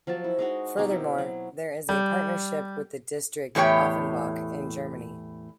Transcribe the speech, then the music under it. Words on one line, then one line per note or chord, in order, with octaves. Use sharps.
Furthermore, there is a partnership with the district Offenbach in Germany.
F3 F#3 C#5 A5
E4
G#3 D#4 F#4
B2 C4 D#4 G4
E4
F#3
G3
E2 A2 G4 C#5 G5